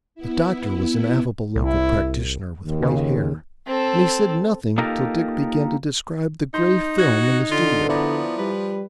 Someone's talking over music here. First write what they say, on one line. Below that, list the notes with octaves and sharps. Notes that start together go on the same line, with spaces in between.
The doctor was an affable local practitioner with white hair, and he said nothing till Dick began to describe the gray film in the studio.
B3 E4
C2 E4
D#2
C#3
C4 A4
A#3 D#4 F4 G4 A4 A#4
D#4 C6 G6
F#4 F#6 G#6 A#6
D3 F4
F3 B3 E4 D5 A#5
G3 B4